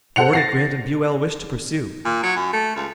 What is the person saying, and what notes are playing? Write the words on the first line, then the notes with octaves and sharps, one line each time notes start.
Nor did Grant and Buell wish to pursue.
A4 C5 F#5 C#7 F7
A6 A#6 C7
A#2
F#3
F#2
A3
C#2